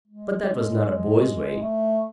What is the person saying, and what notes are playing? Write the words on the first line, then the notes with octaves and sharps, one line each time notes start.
But that was not a boy's way.
G#3
A3